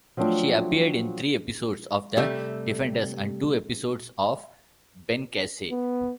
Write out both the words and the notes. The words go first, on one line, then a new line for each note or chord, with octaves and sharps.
She appeared in three episodes of "The Defenders" and two episodes of "Ben Casey".
F3 F#3 A3 C4 D4
C3 G3 A3
B3